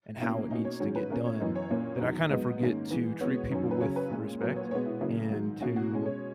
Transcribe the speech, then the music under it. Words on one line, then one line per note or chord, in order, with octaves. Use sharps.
and how it needs to get done, that I kind of forget to treat people with respect, and to
B2 A#3 C#4 E4
B2 A#3 C#4 D#4
C#5
G#2 D#3 F#3 C#4 C#5
B4
B2 A#3 C#4 A#4
C#5
F#2 E3 B3 D#5
C#5
A#2 A#3 C#4 C#5
E2 D#3 F#3
G#2 F#3 B3 D#5
G#2 D#3 A#3 C#4
G#2 E3 B3
B2 G#3 B3 C#5
F#2 D#3 F#3 C#4
B4
C#3 F#3 C#4 C#5
B4
A#2 G#3 C#4
A#2 F#3 B3 A#4
C#5
B2 G#3 B3 C#5
E4
C#3 F#3 A#3 E4
G#2 D#3 F#3
B2 A#3 C#4 F#4
F#4
B2 G#3 C#4
C#5